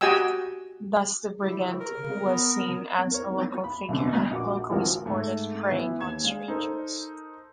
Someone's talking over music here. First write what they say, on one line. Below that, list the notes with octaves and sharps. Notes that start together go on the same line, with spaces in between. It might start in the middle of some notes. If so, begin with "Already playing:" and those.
Thus the brigand was seen as a local figure, locally supported, preying on strangers.
F#4 G4 D#5 G5 G#5 E6
G3 E4
A#4
C#3
B3
A#4 C#5
B5
C2 F#2 D3
B2
A#1 F#4 D6
G#1 D2 E3 F3 F#4 A#4
G#2 A3
E3 B3 E4 B4
D#2 G#6 E7
G#3 D4 F5
D#4 A4 A#4 C5